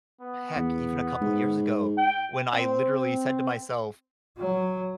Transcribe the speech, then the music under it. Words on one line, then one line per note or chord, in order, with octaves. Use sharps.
Mm, heck, even a couple years ago, when I literally said to myself,
B3
E2
G#2
G5
C4
F#3